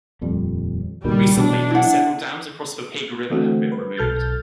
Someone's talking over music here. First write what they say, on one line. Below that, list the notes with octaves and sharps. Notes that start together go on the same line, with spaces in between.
Recently, several dams across the Pigg River have been removed.
D#1 F2 G3
C#2 A#2 D#3 G3
B2 E3 F#3 D4
E4 F#5
D3 E3 A3 C4 F#4
B4
B1 A4 F6 G6 A6